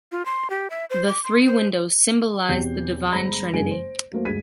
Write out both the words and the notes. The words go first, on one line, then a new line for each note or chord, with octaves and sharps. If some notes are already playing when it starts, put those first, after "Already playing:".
The three windows symbolize the Divine Trinity.
F4
C6
G4
E5
C5
D6
C6
C5
E2 B2 C4 G4 G6 C7
G1 G#3 C5 A#5 B5 A#6
F#1 G2 C#3 G#3 G#5 D7
C5
F#3 A3 A#3 C5
D2 G2 G#3 G#6 B6 D#7